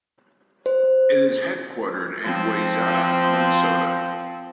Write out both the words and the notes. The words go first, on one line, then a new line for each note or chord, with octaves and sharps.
It is headquartered in Wayzata, Minnesota.
C5
F3 C4